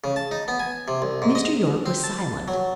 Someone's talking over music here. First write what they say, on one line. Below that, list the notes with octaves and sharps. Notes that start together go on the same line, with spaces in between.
Mr. Yorke was silent.
C#3
A5
D#4
B3
G#5
C3
C2
G#2
D#5
C4
A5
F#3